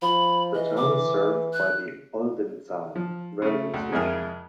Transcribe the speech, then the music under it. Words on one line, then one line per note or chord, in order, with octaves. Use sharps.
The town is served by the Oldenzaal railway station.
F3 B5
E3 D#5
D6
F#6
F3
C#3 A3
D2
F2 G#3 E4 G#4 A#4